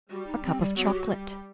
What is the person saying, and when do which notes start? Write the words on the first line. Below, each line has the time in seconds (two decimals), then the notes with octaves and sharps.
"A cup of chocolate."
0.10 G3 F#4
0.27 D#4
0.44 C4
0.61 G3
0.77 F#3 B3
0.85 C4
0.94 G4
1.02 F#4
1.11 G3